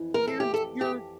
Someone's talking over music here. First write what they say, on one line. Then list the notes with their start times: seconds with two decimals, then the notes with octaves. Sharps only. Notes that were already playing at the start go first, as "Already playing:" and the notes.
you're you're
Already playing: F2 E3
0.14 A#4
0.27 A4
0.40 G4
0.54 A4
0.81 G4